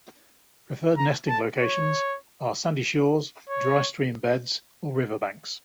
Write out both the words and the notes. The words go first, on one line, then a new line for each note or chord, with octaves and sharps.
Preferred nesting locations are sandy shores, dry stream beds, or riverbanks.
A#5
A5
C#5
C#5